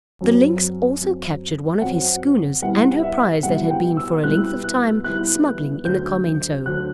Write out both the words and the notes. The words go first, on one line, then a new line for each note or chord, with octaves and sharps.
The Lynx also captured one of his schooners, and her prize that had been for a length of time smuggling in the Carmento.
F#2 F#3 C4
F#2 F#3 C4
F#2 F#3 C4 F#5
C2 B2 G3 B3 E4 F#5
F#5
E5
C2 B2 G3 B3 E4 F#5
G5
E6
C2 B2 G3 B3 E4 F#6
F#6
C2 B2 G3 B3 E4 F#6
D2 D3 F#3 G6
D2 D3 F#3 F#6